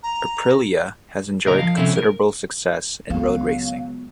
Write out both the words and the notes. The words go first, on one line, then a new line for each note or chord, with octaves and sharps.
Aprilia has enjoyed considerable success in road-racing.
A#5
C#2 A#2 D3 A#4 D#5 A#5
F3 F5
C3 F3 C4 C#4 E4 A4
A#4
C#2 F#3 B3 F5